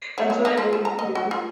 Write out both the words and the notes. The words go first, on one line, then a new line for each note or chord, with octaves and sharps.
That's what I always hear.
F#3
F#3
D#4
F3
F3
A#5
D#5
F#4
F4